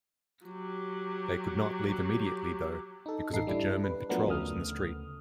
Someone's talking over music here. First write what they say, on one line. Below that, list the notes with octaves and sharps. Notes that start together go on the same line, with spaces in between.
They could not leave immediately, though, because of the German patrols in the street.
F#3 G4
D#4 A4
A1 D#4 A4 C7
G3 D4 E4
B4
F3 F#3 A3 B3 D4 A#4
D2 C#3 A3 D#6 F6